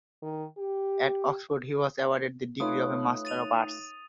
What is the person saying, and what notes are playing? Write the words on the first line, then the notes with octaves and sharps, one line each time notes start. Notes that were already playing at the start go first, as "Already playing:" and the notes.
At Oxford he was awarded the degree of a Master of Arts.
D#3
G4
A3 D#4 F4 B4 C#5 D#6 F#6
A6 D#7 F7